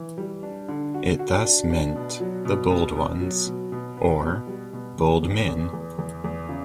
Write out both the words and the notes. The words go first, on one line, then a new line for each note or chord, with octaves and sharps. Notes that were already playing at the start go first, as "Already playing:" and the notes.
It thus meant "the Bold ones" or "Bold men".
Already playing: E3
G3
D4
D3
F#4
F#4
D4
D4
B2
F#3
B2
B2
B2
F#3
B2
B2
B3
B2
G3
B2
E2
E2
E2
E2
E2
E2
C#3